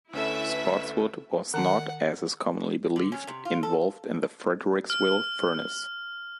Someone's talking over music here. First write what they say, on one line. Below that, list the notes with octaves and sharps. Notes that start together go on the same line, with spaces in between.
Spotswood was not, as is commonly believed, involved in the Fredericksville Furnace.
D2 C#4 E4 A4 B4 E5
D#3 F#5 A5
D3
C#4
C3
F4
A4
F6